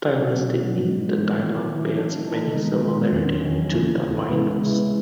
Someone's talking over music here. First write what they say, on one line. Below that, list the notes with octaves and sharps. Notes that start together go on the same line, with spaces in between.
Stylistically, the dialogue bears many similarities to the "Minos".
B2 F#3 C#4 F#4
B2 F#3 C#4 F#4
G#2 E3 G#3 B3 D#4
G#2 E3 G#3 B3 D#4
D#3 F#3 A3 E4
D#3 F#3 A3 E4
E3 A3 D#4 A4
E3 A3 D#4 A4
D#3 G#3 B3 D#4
D#3 G#3 B3 D#4
E2 D#3 F#3 C#4
E2 D#3 F#3 C#4
D#2 C#3 E3 A3
D#2 C#3 E3 A3
C#3 G#3 B3 E4 B4
C#3 G#3 B3 E4 B4